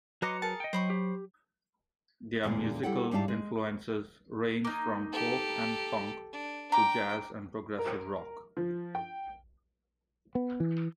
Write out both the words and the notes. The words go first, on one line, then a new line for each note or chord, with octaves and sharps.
Their musical influences range from folk and punk to jazz and progressive rock.
F#3 B4 D#5 A#5 C6 D6 C#7
G#4 A#4 A5
D#5 G5
F#3 C5 B5 C#6
G4
E2 A#2 D3 G#3 F5
G3 E4 A4 F#5 G5
G#2 G3 D4 E4 F5 A5
G#3
A#3 D#4
G4 A4
D4
G5 A#5 D6
A#4
F3
G5
B3
E3